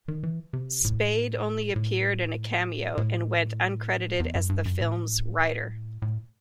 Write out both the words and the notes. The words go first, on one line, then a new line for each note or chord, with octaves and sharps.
Spede only appeared in a cameo and went uncredited as the film's writer.
D#3
E3
C3
A2
A2
A2
E2
F#2
G2
F#2
A2
A2